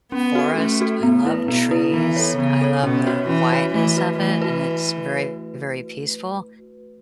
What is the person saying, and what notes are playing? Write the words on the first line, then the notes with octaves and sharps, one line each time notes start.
forest, I love trees, I love the quietness of it, and it's very, very peaceful,
B3 C#4
F#4 A4
A3 C#4
F#4 A4
A2 B3
E4 B4
B2 B3
E4 B4
E3 B3
A4 C#5
C#3 B3
A4 C#5
B2 C#4
F#4 C#5
E3 C#4
F#4 C#5
E3 A3
F#4 B4
E3 A3
F#4 B4